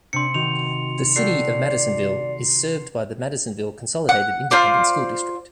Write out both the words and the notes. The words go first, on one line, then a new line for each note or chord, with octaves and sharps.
The City of Madisonville is served by the Madisonville Consolidated Independent School District.
C3 D4 C6 C#7
D#3 F#4 F7
F#4 G4 A4 D5 C7
F#5
F4 C5 D5